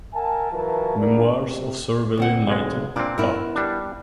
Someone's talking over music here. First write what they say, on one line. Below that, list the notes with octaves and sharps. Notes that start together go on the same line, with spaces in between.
Memoirs of Sir William Knighton, Bart.
A#4 E5 F#5 G#5 A5
E3 F#3 F4 A#4 B4 A5
E2 D4 A#4
C3
D2 C4 F#5
B1 G#3
A#2 C4 D4
B3 E4 A#4
G3 D4